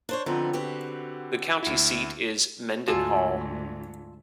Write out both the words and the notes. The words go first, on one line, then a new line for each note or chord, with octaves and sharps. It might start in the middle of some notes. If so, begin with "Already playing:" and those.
The county seat is Mendenhall.
D4 C5 C#5
D3 F3 B3 C4 D#4
F#4 G4 B4
D2 E4
D2 G#2 F4 F#4 A4 G#5